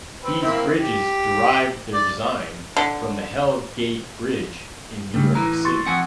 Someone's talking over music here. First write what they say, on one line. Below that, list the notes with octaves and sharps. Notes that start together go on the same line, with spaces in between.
These bridges derived their design from the Hell Gate Bridge in New York City.
C4 B4
A#3 C4 E4
G4
D5
D3
G2 C#3 G3 A3
A2 E3 A#5
C6 C#6 A6
F2 F#5 G#5